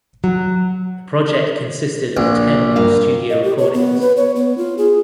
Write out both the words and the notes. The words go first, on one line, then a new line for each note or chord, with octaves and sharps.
The project consisted of ten new studio recordings.
F#3
A#1
G2 A#4 F5
D#5
G4
C#5
B3
B4
C#5
B3
F4
G#4